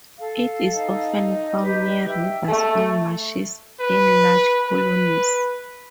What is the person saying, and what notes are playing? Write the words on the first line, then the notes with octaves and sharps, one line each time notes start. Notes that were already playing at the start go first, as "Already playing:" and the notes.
It is often found near rivers or marshes in large colonies.
A4 F5
D#4
G4 B4
E5 G5
A3 A4
B4
B4